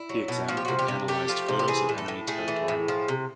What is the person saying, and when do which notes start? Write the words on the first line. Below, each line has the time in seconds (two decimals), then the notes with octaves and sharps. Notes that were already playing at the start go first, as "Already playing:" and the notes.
He examined and analysed photos of enemy territory.
Already playing: E4
0.09 F#3
0.28 B2
0.48 F3 F#4
0.57 G4
0.65 C3 F#4
0.79 G4
0.88 C3
1.08 A3 G4
1.28 F3
1.48 C3
1.59 G4
1.68 E3 G#4
1.89 A2
1.98 A4
2.08 A2
2.28 A3 G#4
2.48 E3
2.68 A2
2.88 F3
3.08 C3